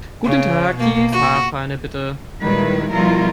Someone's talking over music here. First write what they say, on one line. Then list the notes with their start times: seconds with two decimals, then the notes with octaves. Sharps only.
Guten Tag, die Fahrscheine bitte.
0.24 C#3
0.76 B2 A#3
1.12 F#4
2.41 A#2 D#3 G3 G#3 E4 B4
2.90 B2 F3 G3 E4 F4 A#4